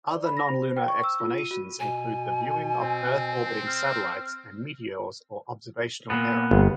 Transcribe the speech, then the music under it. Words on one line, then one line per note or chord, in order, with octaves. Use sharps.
Other non-lunar explanations include the viewing of Earth-orbiting satellites and meteors or observational error.
D5
B5
A#6
C5
G5
C#6
E6
F4
D#7
F#4
B2 G#5
C4
F6
A#2 B3
G1